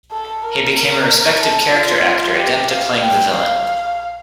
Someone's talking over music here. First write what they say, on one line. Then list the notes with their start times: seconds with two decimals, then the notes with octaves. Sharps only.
He became a respected character actor, adept at playing the villain.
0.12 A4
0.45 A#4
0.77 A#4
1.42 A4
1.73 F4
2.39 G4
2.71 F5
3.03 G5
3.35 F5